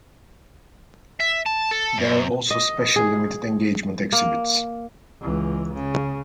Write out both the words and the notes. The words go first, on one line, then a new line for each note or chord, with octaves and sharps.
There are also special limited-engagement exhibits.
E5
A5
A4
F#2
D#5
G#4
A#3
C#2 E3
C#3